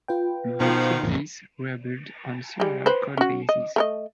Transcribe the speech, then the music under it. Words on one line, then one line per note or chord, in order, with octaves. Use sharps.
Both of these were built on similar codebases.
F4 B4 G5
B2 D#3 F3
A1 F2 A#3
G3 G#3
B4 C5
C#4 F#4
D#5
A3 A#4 D#5